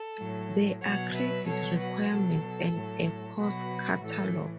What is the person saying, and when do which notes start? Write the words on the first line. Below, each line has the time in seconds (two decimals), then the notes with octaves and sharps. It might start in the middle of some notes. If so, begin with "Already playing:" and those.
There are credit requirements and a course catalog.
Already playing: A4
0.18 A2 F#3
0.83 B2 F#3 C#5 F#5
1.15 B4 E5
1.46 B2 F#3 A4 C#5
1.78 F#4 B4
2.11 B2 F#3 A4
2.75 A2 F#3
3.39 B2 F#3 F#4 B4
4.03 A2 E3 A4